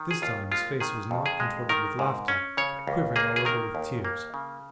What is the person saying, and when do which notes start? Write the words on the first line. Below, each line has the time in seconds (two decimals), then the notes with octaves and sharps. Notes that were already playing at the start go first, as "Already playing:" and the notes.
This time his face was not contorted with laughter, but quivering all over with tears.
Already playing: D#3
0.11 G#4
0.22 D#2 F4
0.51 G#3 F4
0.80 D#3 G#4
1.11 F2
1.26 G#4
1.40 G#3
1.69 D#3 A#4
1.99 G#2
2.28 C#4
2.57 C#3 C#5
2.87 C#2
3.16 A#3 G#4
3.36 G#4
3.45 D#3 A#4
3.75 D#2
4.05 A#3
4.34 C#3